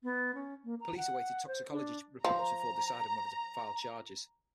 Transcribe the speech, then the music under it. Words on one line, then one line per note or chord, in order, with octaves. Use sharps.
Police awaited toxicology reports before deciding whether to file charges.
B3
C#4
A#3
A#5
F#5
C5
D4
F3 A#5